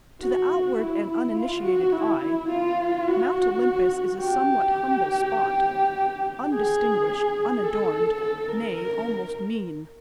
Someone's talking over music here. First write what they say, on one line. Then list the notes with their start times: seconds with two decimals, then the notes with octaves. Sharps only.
To the outward and uninitiated eye, Mount Olympus is a somewhat humble spot,--undistinguished, unadorned,--nay, almost mean.
0.21 F#4
0.78 E4
1.36 F4
1.63 F#4
1.92 E4
2.49 F4
3.07 F#4
4.21 G4
6.49 G#4
7.64 A4
8.21 A4
8.48 A#4